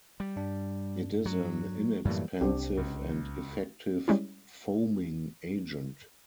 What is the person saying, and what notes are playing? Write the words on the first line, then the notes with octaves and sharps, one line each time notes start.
It is an inexpensive and effective foaming agent.
G3
G2 D4
F#3
F#2 A2 E3 F#3 G3 A#3
C2 C4 D4 G4
C#2
G3 G#3 C#4 E4